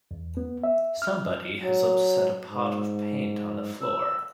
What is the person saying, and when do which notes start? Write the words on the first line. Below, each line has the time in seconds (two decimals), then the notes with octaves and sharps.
Somebody has upset a pot of paint on the floor.
0.11 E2
0.37 B3
0.64 E5
1.02 F6
1.60 F#3
2.48 G#2
3.81 E6